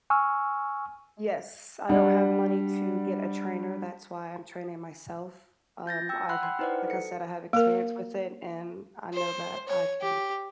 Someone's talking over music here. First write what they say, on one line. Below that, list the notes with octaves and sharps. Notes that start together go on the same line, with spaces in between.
Yes, I don't have money to get a trainer, that's why I'm training myself, um, I've h like I said, I have experience with it, and I know that I can
G#5 C#6 E6 F6
G3 D4 F#5
F4 G6 A6 A#6
G5 E6
F#5 B5 C6 E6 F#6
G5 C6
D#4 E4 B4 C5 D5 F#5
A4 C#7
A#3 A#4
C5
C#5
G4